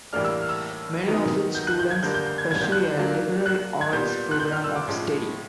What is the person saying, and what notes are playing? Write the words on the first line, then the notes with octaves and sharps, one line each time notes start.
Many of its students pursue a liberal arts program of study.
A2 E3 G3 A#3 D4 F6
E6
F6
E6
D#3 F#3 B3 D#4
G6
F#6
G6
G#6
D3 G3 A#3 G6
G6
G6
G#6
G#6
G6
F#6
G6
F#3 A#3 D4 F4
F#6
G#6
A#2 G3 B3 G6
F#6
G6
F6
E6
D6
A2 F3 G#3 C#4